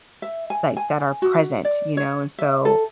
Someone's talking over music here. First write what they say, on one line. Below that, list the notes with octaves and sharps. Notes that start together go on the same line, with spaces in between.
like, that are present, you know, and so,
E5
G#5
G#5
F#4
D5
C#5
E5
A4